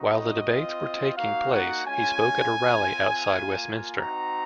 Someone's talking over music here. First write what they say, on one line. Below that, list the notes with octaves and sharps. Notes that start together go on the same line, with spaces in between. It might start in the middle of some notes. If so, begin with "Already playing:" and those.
While the debates were taking place he spoke at a rally outside Westminster.
Already playing: C4 D#4 F#4
D#5
C4 F4
A#3 D#4 F#4 F5
F#5
G#3 C#4 F4 G#5
C4 F4
A#3 F4
C4 D#4 F#4 A#5